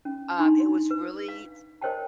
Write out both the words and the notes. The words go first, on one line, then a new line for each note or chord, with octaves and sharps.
um, it was really f
C#4
D4 D#4 C6
B4
F5
A#4 C5 C#5 D#5 G5 A5